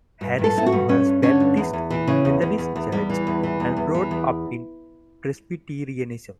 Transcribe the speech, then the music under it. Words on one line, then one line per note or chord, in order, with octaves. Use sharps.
Harrison was baptised in a Methodist church and brought up in Presbyterianism.
G2
G2
A4
G2 E4
F#4
G2
G2 C#4
G2
D3 C#4
G2
E2
E2
E3
C#3
E2
E2
E2
E2
E2 G3
E3
E2
E3
E2
E2
E3
E2